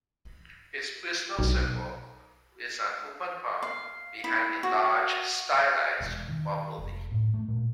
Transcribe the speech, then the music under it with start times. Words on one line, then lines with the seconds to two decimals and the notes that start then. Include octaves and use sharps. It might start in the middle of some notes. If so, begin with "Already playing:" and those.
His personal symbol is an open palm behind a large, stylized bumblebee.
1.38 B1
3.62 F5
4.24 E4
4.63 F#4
6.00 E1
6.28 D#3
6.78 F1
7.12 A2
7.34 A3
7.48 A#2